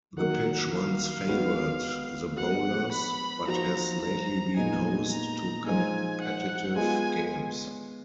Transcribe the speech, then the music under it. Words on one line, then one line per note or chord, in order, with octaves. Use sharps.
The pitch once favoured the bowlers but has lately been host to competitive games.
D#3 F#3 A#3 F#5
F5
G#3 B3 F#4 B4
F3 G#3 B3 F#4 A#4 F#5
B5
F3 A#3 D#4 F#4 A#5
A#5
A#2 G#3 B3 D#4 G#5
A#5
F3 G#3 D#4 G#5
F#5
G#3 B3 F4 G#5